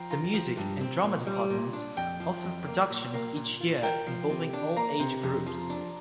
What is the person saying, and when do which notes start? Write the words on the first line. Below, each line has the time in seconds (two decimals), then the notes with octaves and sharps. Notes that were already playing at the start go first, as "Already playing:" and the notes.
The Music and Drama departments offer productions each year involving all age groups.
Already playing: F3 G5 A#5
0.10 F4 A#5
0.34 F3
0.57 G2
0.81 C4
1.03 A#2
1.27 G3
1.50 A#2
1.73 D4
1.97 F2 G5
2.20 F3
2.44 F2
2.67 A#3
2.90 A#2
3.14 A#3
3.36 A#2
3.60 F4
3.83 A#4 G5
4.07 F3
4.30 C3
4.53 D4
4.77 A#3 A#5
5.00 C3
5.23 F2
5.46 F3
5.70 D4